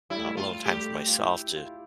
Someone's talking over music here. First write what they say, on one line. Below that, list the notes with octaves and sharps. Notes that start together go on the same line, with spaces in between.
alone time for myself to
G3 E4
A3
G3
F4
A3 G4
G3
A3
F4
E4
F4
E4